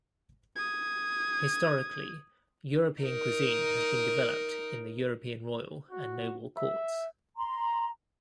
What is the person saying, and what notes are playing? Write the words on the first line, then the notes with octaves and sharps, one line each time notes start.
Historically, European cuisine has been developed in the European royal and noble courts.
D#6 G#6
D#4 A#4
F#4
E5
A#5 C6